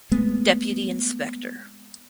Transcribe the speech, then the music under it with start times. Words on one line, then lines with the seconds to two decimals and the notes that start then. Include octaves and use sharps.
Deputy Inspector.
0.11 G#3 A3 B3 C4